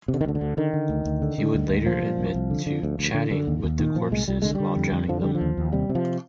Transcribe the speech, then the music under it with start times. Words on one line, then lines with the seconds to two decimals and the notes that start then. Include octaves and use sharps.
He would later admit to "chatting" with the corpses while drowning them.
0.08 C3
0.14 D3
0.21 D#3
0.25 D2 D3
0.35 D3
0.41 D2
0.57 D3 D#3
0.74 D3
0.89 D2
1.05 D2
1.22 D3
1.38 D3
1.54 D2
1.69 D2
1.86 A#2 F3
2.03 A#2
2.18 C2
2.35 C2
2.50 D3
2.66 D3
2.83 D2
2.99 D2
3.15 D3
3.31 D3
3.47 D#2
3.64 D#2
3.79 A#2 D#3
3.95 A#2 F3
4.12 C2 G#3
4.28 C2 G3
4.42 D3 G#3
4.55 D3 G3
4.76 F2
4.92 F2
5.08 D3 F3
5.22 D3 G3
5.35 F3
5.41 D#2
5.57 D#2
5.72 C3 G3
5.89 C3
5.95 F3